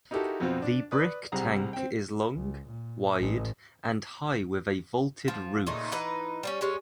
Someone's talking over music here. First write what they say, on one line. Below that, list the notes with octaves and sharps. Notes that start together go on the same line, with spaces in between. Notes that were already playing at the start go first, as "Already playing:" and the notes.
The brick tank is long, wide and high with a vaulted roof.
D#4 E4 F#4 G4 A4 A#4
F2 B2 F3 C4 F4
D4
B4 D5 D#6
C2 G3 C4 G#4 F#5 A#5
C4 G5
C#2
A#2
A1
F3
A#2 C#3 A3 D#4
E3 D#4 B4
G3 A#3 C#4
G3 G#3 C#4